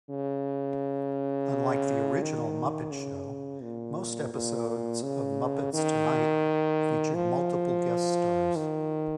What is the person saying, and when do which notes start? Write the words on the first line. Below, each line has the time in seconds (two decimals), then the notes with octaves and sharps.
Unlike the original "Muppet Show", most episodes of "Muppets Tonight" featured multiple guest stars.
0.10 C#3
2.22 D#3
2.91 C#3
3.62 A#2
4.34 A#2
5.03 C#3
5.73 D#3
7.15 F3
8.56 D#3